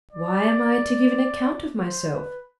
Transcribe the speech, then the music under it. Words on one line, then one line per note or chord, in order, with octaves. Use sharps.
Why am I to give an account of myself?
D5
C5
B4